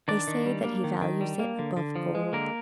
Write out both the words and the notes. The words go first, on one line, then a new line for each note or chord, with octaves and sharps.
They say that he values it above gold.
D#3 D4 D5
D#3
G3
A#3
D#3
D#3
G3
A#3
D3
D3
F3
G#3
D3 A#3 A#4